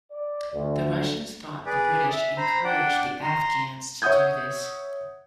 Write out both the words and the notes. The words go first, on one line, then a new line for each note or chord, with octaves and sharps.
The Russians thought the British encouraged the Afghans to do this.
D5
D2
G#4 B4 D5
E5
C5 A#5 B5
D4 D5 F#5 G5
A#5 C6
C#5 E5 F#5 D#6 G6 G#6